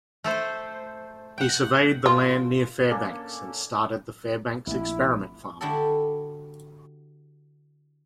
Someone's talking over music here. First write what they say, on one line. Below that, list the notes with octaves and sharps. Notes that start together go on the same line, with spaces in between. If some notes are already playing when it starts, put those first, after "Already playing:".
He surveyed the land near Fairbanks and started the Fairbanks Experiment Farm.
A3 A4 C5
F#5 G5
F4
A#3 C#4 D4 A4
A#1 A3 C4 E4
D3 E4 F#4 G4 A4